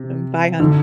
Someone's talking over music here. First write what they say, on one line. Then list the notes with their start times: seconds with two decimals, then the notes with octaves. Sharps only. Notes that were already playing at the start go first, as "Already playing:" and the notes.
Um, bye, hon.
Already playing: C3
0.60 D3